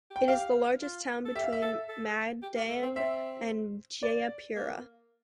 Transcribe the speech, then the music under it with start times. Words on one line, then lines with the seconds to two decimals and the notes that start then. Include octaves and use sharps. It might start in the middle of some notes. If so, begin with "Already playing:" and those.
It is the largest town between Madang and Jayapura.
0.11 G4
0.16 G5
0.28 G4 F5
0.82 F4
1.25 A4
1.36 G4 E5
1.44 F5
1.53 E5
1.62 A4
1.89 A4
2.42 G4
2.56 A#3
2.69 A3
2.83 C4
2.96 C4 E5
4.03 D5
4.56 A#3